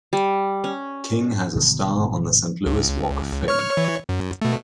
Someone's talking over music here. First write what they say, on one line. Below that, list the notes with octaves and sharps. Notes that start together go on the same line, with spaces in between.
King has a star on the Saint Louis Walk of Fame.
G3
C#4
G1 B2 D#3 F#3
C#2
C#5 C#6 F6
E3 C#5
F#2
B2 A3